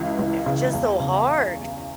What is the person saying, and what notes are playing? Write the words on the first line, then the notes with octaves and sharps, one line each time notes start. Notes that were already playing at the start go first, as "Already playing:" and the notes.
They're just so hard.
Already playing: C#2 C#3 E3
C#2
C#3
E2
C#3